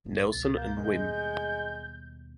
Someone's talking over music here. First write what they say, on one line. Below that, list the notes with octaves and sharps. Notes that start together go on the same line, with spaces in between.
Nelson and Wm.
A#1 A2 F3
C#2 B2 A6
A#3 G6
D#2 B2 G3 G#3